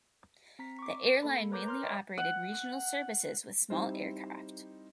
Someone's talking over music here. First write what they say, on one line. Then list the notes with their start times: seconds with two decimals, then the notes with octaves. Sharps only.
The airline mainly operated regional services with small aircraft.
0.59 C4 A#5 B6
0.79 C#6 D6
1.23 A#3 A4 B5
1.51 A#4 B4 C#5 A#5 D6 G6
1.66 A#5 C6 F6
1.83 C#5 D#5 E5 G5 B5 C#6
2.18 F#5
3.70 G3 C4 D#4 E4 C5